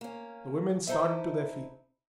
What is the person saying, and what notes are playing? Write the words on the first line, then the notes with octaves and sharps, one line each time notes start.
The women started to their feet.
A#3 C#4
D#4 E4 A4 C5 D#5 E5